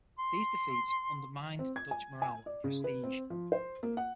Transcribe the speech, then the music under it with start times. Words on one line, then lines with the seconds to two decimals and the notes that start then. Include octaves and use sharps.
These defeats undermined Dutch morale and prestige.
0.19 C6
1.59 C4
1.76 G#6
1.91 G#5
2.22 G#5
2.46 D5
2.64 C#3
2.84 B4
3.04 C4
3.30 F3
3.52 C5
3.83 A#3
3.97 F#5